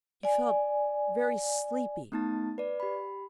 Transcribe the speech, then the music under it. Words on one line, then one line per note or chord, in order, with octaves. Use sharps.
He felt very sleepy.
D5 G#5
A3 B3 D#4 A5 A6
B4 D5
G4 B5